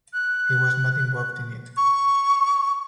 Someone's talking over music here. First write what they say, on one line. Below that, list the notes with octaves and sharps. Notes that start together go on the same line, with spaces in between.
He was not involved in it.
F#6
C#6